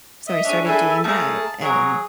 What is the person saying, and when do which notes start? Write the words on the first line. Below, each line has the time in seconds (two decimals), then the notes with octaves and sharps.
So I started doing that, and
0.27 D#5 E5
0.45 D4 G#4 C#5
0.65 E4 G#4 A4 E5 G#5
1.04 A3 A#3 G#4 A5 A#5
1.61 F#3 G#4 A#4 C#5